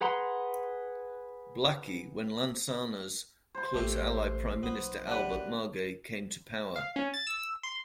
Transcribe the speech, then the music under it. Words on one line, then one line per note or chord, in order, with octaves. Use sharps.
Blackie when Lansana's close ally Prime Minister Albert Margai came to power.
G#4 B4 F#5 A#5 C6
C5 C6
A1 A3 G4
B1 B3
D4 G4 B4 F#5
F5
C#4
A6
E6
C6